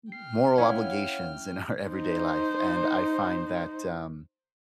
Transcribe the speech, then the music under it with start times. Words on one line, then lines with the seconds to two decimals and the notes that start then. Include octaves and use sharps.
m moral obligations in our everyday life, and I find that, um,
0.12 G5 F6 C7
0.58 C#4 E4 C#5 F5 F#5
1.88 D#4 C5